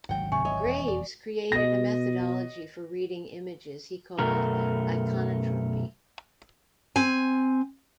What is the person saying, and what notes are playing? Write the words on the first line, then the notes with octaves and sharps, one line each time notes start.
Graves created a methodology for reading images he called "iconotropy".
G#1 D2 F#3 F#5 G5
C3 G#5 C#6
C#5 D#5 E5
E1 F2
D5
B2 D#5 A#6
F#2 B2 A3 A#4
C4 G#5